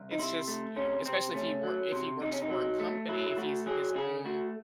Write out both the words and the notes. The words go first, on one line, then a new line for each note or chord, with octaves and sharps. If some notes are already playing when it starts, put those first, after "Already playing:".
It's just, you know, especially if he work if he works for a company, if he's his own
Already playing: C2
D#4
C3 E4
A3
C3 C#4
C3 C4
A3 C#4
F#3
C3
C3 D#4
C#4
D#4
F#3
A3
F#3 E4
E4
A3 F#4
F#3 G#4
C#3 G#4
A3 F#4